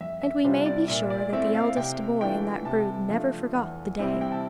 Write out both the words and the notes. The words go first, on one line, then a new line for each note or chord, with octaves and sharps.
And we may be sure that the eldest boy in that brood never forgot the day.
F2 E5
E5
C3 G3 D4 F4 C5
D5
A#2 E5
D5
A3 C4 E4 E5
F5
C3 G5
E3 A3 D4 F4 G5
C3 A5
F3 A3 D4 F4
E2
C3 G3 C4 E4
G5
A5